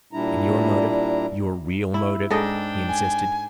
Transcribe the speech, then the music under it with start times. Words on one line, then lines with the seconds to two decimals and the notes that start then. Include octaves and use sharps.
"And your motive--your real motive?" he insisted.
0.13 A#2 G3 D4 E4 A#5
1.94 E4
2.30 G#2 D4 A4 D#5 G5
2.88 G#5